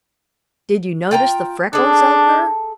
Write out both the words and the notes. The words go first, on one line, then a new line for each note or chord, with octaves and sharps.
Did you notice the freckles of her?
F4 G5 A#5
D4 G#4 A4